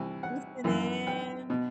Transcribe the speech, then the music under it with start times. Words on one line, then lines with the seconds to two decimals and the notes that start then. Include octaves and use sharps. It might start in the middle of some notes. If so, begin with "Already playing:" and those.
listen in?
Already playing: C2 C3 E3
0.23 F#5
0.64 F#2 E3
1.07 G5
1.50 B2